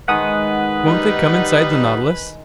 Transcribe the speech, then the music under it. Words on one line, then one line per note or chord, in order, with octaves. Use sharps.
"Won't they come inside the Nautilus?"
D#3 G#3 B4 F#5 D#6
G3 D#4